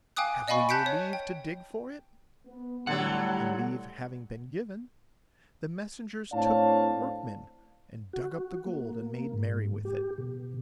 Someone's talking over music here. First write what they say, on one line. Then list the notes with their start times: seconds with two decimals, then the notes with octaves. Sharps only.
Have we your leave to dig for it?' And leave having been given, the messengers took workmen and dug up the gold and made merry with it.
0.16 F5 G5 G#5 D6 D#6 F#6
0.48 D5 D#5 F5 G#5 B5 C#6
0.69 A5 F#6 G6 B6 C#7 D7
0.86 C#5
1.13 G5
2.47 B3
2.87 A2 D3 F#3 G3 F#5
6.33 A2 C4 D4 C#5 F5 A5
8.13 F#4
8.66 A#3
9.33 G#2
9.85 G4
10.18 B2